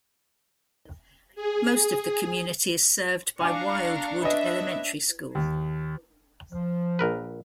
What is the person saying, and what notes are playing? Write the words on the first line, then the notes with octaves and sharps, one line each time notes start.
Most of the community is served by Wildwood Elementary School.
G#4
D4 F5 G#5 A#5 C#6 D6
B4 C#5 D#5 E5
D#2
F3
A#1 A#4 B4